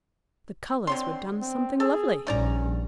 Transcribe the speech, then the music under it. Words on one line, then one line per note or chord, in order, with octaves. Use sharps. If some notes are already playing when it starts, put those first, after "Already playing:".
The colours were done something lovely.
D3 C4 C#5 C6
C4
G#4 A4
A#1 G2 C#4 D#4 D5 A#5